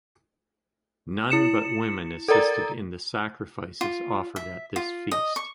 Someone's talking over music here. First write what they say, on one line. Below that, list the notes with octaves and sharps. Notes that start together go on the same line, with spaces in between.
None but women assisted in the sacrifices offered at this feast.
E4 C#7 E7
A4 A#4 D5 A#5 A6
F4
E5
F4
D#5
C#6